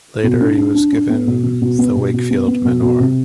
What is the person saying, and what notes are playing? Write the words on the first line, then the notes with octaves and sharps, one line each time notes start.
Later he was given the Wakefield manor.
B2
D4
D4
D4
D4
B3
B2
B2
B2
B3
B2
B2
B3
B3
B2
B2
C3